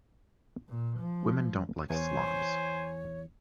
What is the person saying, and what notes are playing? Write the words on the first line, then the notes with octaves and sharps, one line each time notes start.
Women don't like slobs.
A#2
F3
E2 C5 C#5 G#5